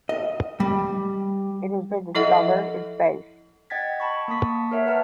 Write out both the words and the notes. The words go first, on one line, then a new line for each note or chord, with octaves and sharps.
It has been discovered in space.
D#5
G3
F3 E4 A4 D#5 E5 F#5
D#5 F#5 G5 G#6 A6 B6
A5 B5 C#6
A#3 A5 C#6 D#6 B6
A#4 C#5 E5 F#5
B4 C#5 F#5 A5 A#5 F6